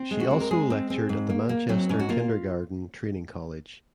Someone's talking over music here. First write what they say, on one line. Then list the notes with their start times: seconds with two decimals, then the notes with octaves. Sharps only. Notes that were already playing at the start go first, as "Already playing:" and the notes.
She also lectured at the Manchester Kindergarten Training College.
Already playing: C4
0.11 G#3
0.20 F#4
0.31 C4
0.40 A#4
0.51 G#3 G#4
0.70 C4
0.90 C4
1.09 G#2
1.30 A#3
1.49 A#3
1.69 F#3 C4
1.89 G#2 C#4
1.99 F#4
2.09 A#3 F4